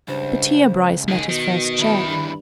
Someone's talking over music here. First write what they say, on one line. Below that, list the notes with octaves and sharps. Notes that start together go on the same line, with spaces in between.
But here Bryce met his first check.
C#2 G2 C5
D3 D#3 G#4 D#5
B2 D#3
D#2 E4
G2 B5